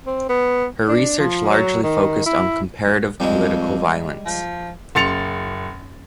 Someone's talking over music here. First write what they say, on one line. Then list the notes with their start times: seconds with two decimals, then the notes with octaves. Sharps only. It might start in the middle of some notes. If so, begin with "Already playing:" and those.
Her research largely focused on comparative political violence.
0.07 C4
0.29 B3
0.88 D4
1.19 F3
1.50 F#3
1.83 D#3
2.26 E4
3.20 F2 G3 G#3
4.25 F3
4.95 F#1 C6 A6 C#7 F7